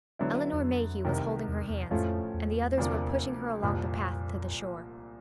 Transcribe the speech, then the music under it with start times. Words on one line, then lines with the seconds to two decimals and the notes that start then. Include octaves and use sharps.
Elinor Mayhew was holding her hands, and the others were pushing her along the path to the shore.
0.19 D3 F#3 B3 E4
0.53 E2
0.62 F2
1.05 C2 C3 D#3
1.48 E2
1.69 E2
1.91 F2 A2 F3 A3 C#4 F4
2.34 E2
2.77 D2 C3 F3 A#3 D4
3.63 C2 F2 A#2 F3